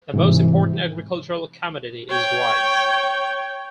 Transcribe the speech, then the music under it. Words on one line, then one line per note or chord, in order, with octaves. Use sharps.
The most important agricultural commodity is rice.
G#2 C3 E3
C#5 G5